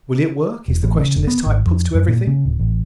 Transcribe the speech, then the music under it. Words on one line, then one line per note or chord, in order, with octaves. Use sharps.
"Will it work?" is the question this type puts to everything.
E1
A1
C#3
F1
B3
G#1
F2
F#2
A#2
C#3
D1
A1